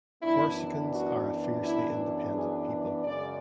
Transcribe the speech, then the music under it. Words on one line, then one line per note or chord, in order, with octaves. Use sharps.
Corsicans are a fiercely independent people.
F#2 E3 B3 D4 E4
F#4
E4
G#4
F#2 C#3 G#3 D5